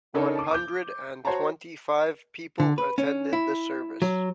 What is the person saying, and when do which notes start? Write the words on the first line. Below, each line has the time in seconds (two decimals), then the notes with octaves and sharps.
One hundred and twenty-five people attended the service.
0.14 C#3 D4 D#4 A4 A#4 C#5
0.35 A5 D6
0.51 D6 G6
1.25 F#4 C5 C#5 F#5 A5 A#5
2.60 D3
2.78 B4
2.98 C#4
3.33 E4
4.02 F#3